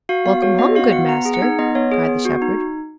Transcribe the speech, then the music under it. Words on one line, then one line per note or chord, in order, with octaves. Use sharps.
"Welcome home, good master!" cried the shepherd.
F#4 F5
B3 F5
F#4 C#5
B3 D#5
F#4 F5
B3 F#5
B3 A#5
G#4
F#5
D#4
B3 D#5
B3 C#5
G#4
B3
F#4
D#4